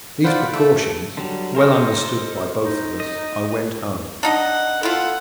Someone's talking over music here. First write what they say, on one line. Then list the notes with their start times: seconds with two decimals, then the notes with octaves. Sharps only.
These precautions well understood by both of us, I went home.
0.24 F4 C5 D5 F#5 B5
0.53 A3 E5
1.17 D3 F#3 G3
1.55 A4 A#4 C5 D#5
2.63 D#4
3.00 D#5
4.23 D4 D#4 D#5 F#5
4.83 E4 F4 A4 F#5